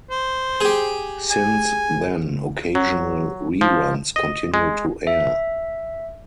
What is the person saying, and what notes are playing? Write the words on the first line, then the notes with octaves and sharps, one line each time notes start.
Since then, occasional reruns continue to air.
C5
G4 G#4
G#5
F#3
F3
D#5
G#3
E5